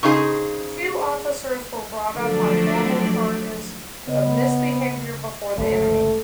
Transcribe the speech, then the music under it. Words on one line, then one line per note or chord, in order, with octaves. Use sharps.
Two officers were brought up on formal charges of misbehavior before the enemy.
C#3 D#4 G#4 C5 C#6
D3 F3 F#3 A3 D4
C#3 B3 D#5
G1 C#2 D3 A3